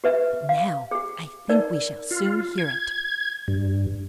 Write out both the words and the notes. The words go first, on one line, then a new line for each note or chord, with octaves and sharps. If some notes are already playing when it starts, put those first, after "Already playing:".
"But now I think we shall soon hear it."
G4 B4 E5
F5
G4 G#4
D#4 A#4 D5
F4
G#6
G2